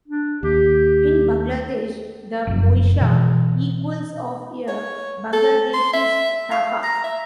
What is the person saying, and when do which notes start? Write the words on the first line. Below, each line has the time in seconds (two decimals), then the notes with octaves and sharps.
In Bangladesh, the "poisha" equals of a Bangladeshi taka.
0.08 D4
0.43 D#2 G4
2.47 F1 F#2
3.01 B2 E3
4.68 C#5
5.33 A4
5.74 C6
5.94 E5
6.52 F5
6.84 A#5
7.04 E5